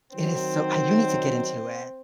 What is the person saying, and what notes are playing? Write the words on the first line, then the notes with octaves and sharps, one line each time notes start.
It is, so you need to get into it.
D#3 F#3 C4